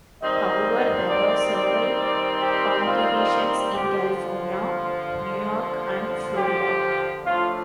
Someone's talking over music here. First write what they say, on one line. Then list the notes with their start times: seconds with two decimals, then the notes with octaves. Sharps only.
However, there are several congregations in California, New York, and Florida.
0.22 D#3 G3 C4 D#5
1.09 D5
1.53 D5
1.97 D5
2.41 G4
2.86 F4
3.73 G2 D3 F3 G4
4.17 F4
6.36 G4
7.24 A2 F3 A3 D4 F4